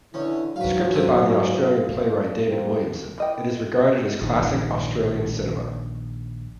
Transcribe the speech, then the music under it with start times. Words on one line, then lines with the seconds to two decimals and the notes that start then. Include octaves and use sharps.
Scripted by the Australian playwright David Williamson, it is regarded as classic Australian cinema.
0.14 E2 D3 C#4 E4
0.56 G#2 E3 F#3 B4 F5
0.93 F3 A3
2.47 G3 A#3 C4
3.18 E3 D#5 G5
4.22 A#1 D#3